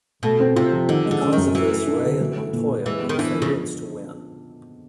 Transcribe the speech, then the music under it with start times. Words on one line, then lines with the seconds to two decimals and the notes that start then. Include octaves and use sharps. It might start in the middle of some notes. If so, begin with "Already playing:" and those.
Because of this Ray and Montoya were the favorites to win.
0.23 B2 A3
0.40 C4
0.56 C3 F4
0.72 F3
0.89 D3 D#3
1.05 G#3
1.11 D3
1.21 C#4
1.33 F#2 D#3
1.54 E3 F#3
1.71 A3
1.87 D4
2.04 D3
2.20 F#3
2.37 A3
2.53 A#2
2.69 A#2
2.86 E3 G#3
3.02 B3
3.09 D#3
3.18 E3 D4
3.35 F3
3.42 C#3